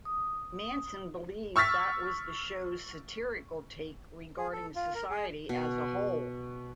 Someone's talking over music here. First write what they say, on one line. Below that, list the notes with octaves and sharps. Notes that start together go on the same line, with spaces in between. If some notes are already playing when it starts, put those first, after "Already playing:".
Manson believed that was the show's satirical take regarding society as a whole.
D#6
C#6 E6 F6 A6 B6
G#4
A4
F4
A#4
G#4
B2